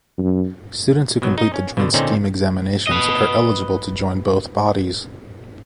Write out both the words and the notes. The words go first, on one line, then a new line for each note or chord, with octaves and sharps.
Students who complete the Joint Scheme examinations are eligible to join both bodies.
F#2
B2 F#3
D#4 D#5
C#4
B2 D3
A#2 D3 C4 C#4 D#4
B4 D#5